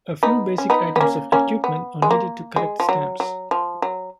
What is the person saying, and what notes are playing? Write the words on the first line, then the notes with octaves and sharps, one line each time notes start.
A few basic items of equipment are needed to collect stamps.
B3 D#4
C#4
B3 D#4
B3
A#3 C#4
A#3 C#4
B3
G#3
A#3
G#3
F3
F#3
F#3
F3
F#3